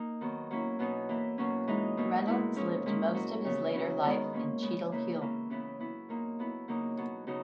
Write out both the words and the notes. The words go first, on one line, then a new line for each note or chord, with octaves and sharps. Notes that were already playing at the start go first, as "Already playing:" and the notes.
Reynolds lived most of his later life in Cheadle Hulme.
Already playing: A#3 D#4
D#3 F#3 B3
F#3 A#3 C#4 E4
B2 F#3 B3 D#4
E3 A#3 E4
B2 F#3 A#3 C#4
E3 G#3 D#4
B2 A#3 D#4
A#2 G#3 B3 E4
A#2 G#3 C#4
A#2 G#3 C#4 E4
F#3 C#4 E4
C#3 E3 B3
C#3 F#3 C#4 E4
D#3 G#3 B3
A#2 A#3 C#4
C#3 G#3 B3
C#3 E3 A#3 E4
E3 A#3 C#4
C#3 E3 B3 E4
F#3 B3 E4
A#2 A#3 D#4
F#3 B3 E4
C#3 F#3 A#3 D#4
B2 F#3 B3
C#3 F#3 B3 D#4